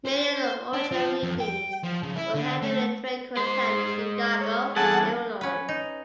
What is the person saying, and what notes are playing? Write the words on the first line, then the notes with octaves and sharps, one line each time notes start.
Many of the original meetings were held in the Drake Hotel in Chicago, Illinois.
C5
D4
F3
F2
G5
F3
C#3
E4
D3
A3
G#3 C5 C6
C#5
E2 G2 G#4 A4 F#5 A5
C#4 B4
D#4